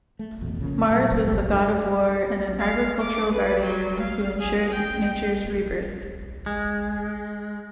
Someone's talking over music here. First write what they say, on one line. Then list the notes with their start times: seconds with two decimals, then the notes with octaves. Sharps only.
Mars was the god of war and an agricultural guardian, who ensured nature's rebirth.
0.19 A3
0.41 A1 F2 B2
0.61 C#3 F3 A#3
0.90 A#2 F#3 G3 A3
1.23 C2 G#2 F3 G3
1.49 F#2 C#4 D4
2.59 F5
3.01 D6
3.32 B4
3.61 F#3
4.00 F5
4.40 G#4
4.71 G5
6.46 G#3